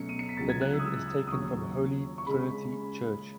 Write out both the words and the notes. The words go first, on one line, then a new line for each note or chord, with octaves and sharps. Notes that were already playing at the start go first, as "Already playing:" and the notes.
The name is taken from "Holy Trinity Church".
Already playing: B2 F#3 A3 C#4 C#7
D#7
C#7
B6
C#2 C#3 F#3 A6
G#6
F#6
E6
D#6
E6
E6
D#6
D#2 C#3 F#3 C#6
C#6
C#3 G#3 B5